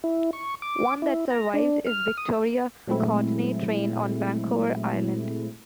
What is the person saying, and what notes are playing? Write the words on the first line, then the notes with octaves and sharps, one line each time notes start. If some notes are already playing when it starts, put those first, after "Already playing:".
One that survives is Victoria - Courtenay train on Vancouver Island.
E4
C#6
D6
E4
A#5
D4
F6
D#6
A#2 F#3 G#3 A3 C4 E4